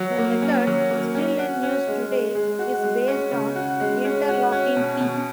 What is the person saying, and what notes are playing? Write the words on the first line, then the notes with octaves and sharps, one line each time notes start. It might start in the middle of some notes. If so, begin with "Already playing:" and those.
The method, still in use today, is based on interlocking teeth.
Already playing: F#3
A#3
C#4
F#3
A#3
C#4
F#4
C#4
G#3
G#3
G#3
F#4
G#3
C#4
C#3
F#4
G#3
C#4
F#4
C#4
B2
B2